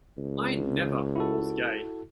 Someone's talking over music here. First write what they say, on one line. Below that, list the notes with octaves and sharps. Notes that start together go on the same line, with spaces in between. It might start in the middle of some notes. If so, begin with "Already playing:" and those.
I never was gay.
C#2
E4 F#4 A4